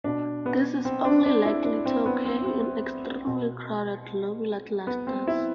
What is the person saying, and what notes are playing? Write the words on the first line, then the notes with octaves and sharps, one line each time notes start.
This is only likely to occur in extremely crowded globular clusters.
B2 D4
B3
C4
D4
D4
E4
D4
C4
B3
C4
C4
B2
B3
C4
E4